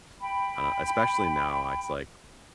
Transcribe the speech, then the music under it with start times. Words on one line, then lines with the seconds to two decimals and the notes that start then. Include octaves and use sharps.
I don't Especially now, it's like,
0.22 G5 B5